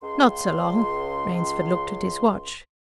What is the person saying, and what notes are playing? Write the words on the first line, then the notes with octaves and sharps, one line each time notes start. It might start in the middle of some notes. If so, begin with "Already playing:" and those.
"Not so long." Rainsford looked at his watch.
C#2 C6